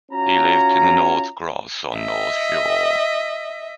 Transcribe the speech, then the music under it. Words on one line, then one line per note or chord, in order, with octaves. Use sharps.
He lived in Northcross on the North Shore.
C#4 F4 F#4 A#5
D#5 E5